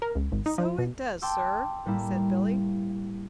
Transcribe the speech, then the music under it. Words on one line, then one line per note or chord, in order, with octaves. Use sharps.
"So it does, sir," said Billy.
A#4
C#2
G#1
D#4
F3
B2
G5 A5 C6 D6 E6 G6
A2 G3 A#3 E4